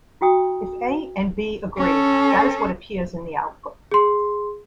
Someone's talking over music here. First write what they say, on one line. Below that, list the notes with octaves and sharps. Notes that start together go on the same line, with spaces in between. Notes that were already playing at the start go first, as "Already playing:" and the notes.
If "A" and "B" agree, that is what appears in the output.
E4 F#4 G5 D#6
C#4 A4
G#4 C6